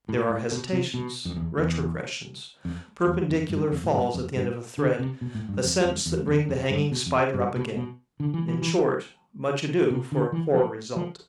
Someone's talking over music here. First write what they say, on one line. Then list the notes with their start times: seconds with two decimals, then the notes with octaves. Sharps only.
There are hesitations, retrogressions, perpendicular falls at the end of a thread, ascents that bring the hanging Spider up again. In short much ado for a poor result.
0.09 A2
0.30 A2
0.52 B2
0.72 C3
0.94 B2
1.25 F2
1.36 E2
1.58 E2
2.65 F2
3.07 E2
3.29 F2
3.49 G2
3.72 F2
3.84 A2
3.93 G2
4.14 F2
4.35 G2
4.78 D3
4.99 C3
5.21 B2
5.35 A2
5.49 G2
5.64 F2
5.84 F2
6.06 E2
6.27 F2
6.49 F2
6.71 G2
6.91 B2
7.06 F2
7.34 G2
7.55 B2
7.77 B2
8.20 D3
8.34 E3
8.48 E3
8.62 E3
9.90 C3
10.12 D3
10.32 E3
10.54 F3
10.96 F3